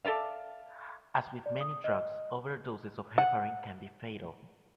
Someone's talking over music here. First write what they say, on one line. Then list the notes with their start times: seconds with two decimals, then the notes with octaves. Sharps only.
As with many drugs, overdoses of heparin can be fatal.
0.05 A4 D5 E5 F5
1.46 D5
1.61 D#6
1.84 D#5
3.18 F#5